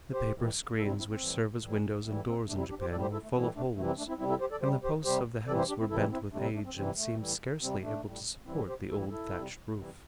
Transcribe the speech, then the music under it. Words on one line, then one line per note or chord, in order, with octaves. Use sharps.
The paper screens which serve as windows and doors in Japan were full of holes, and the posts of the house were bent with age and seemed scarcely able to support the old thatched roof.
G4 C5
A2 E3 G3
C3 G3 E4 A4
C4 E4
C4 E4
C4
A2 E3 G3
A2 E3 G3
A2 E3 G3 A3
C4
C3 G3 A3 D4
C4 E4
D4 G4
G4 C5
A2 G3 A4 D5
G4 C5
E4 A4
A3
A2 E3 G3 C4
A3 D4
C3 E3 G3 A3
C4
A3 D4
C4 E4
C3 G3 C4 E4
E4 A4
G4 C5
A4 D5
C3 G3 G4 C5
G4 C5
C3 G3 G4 C5
C3 E3 G3 A4 D5
G4 C5
D4 G4
C4 E4
C3 E3 G3 E4 A4
C4 E4
C3 G3 A3 D4
C4
A3 D4
C4
C3 E3 G3 C4
A3
A2 E3 G3
C3 G3 C4
A3 D4
A2 G3
A2 E3 G3 C4 E4
G4 C5
A2 E3 G3 E4 A4
E4 A4
C3 G3
C3 E3 G3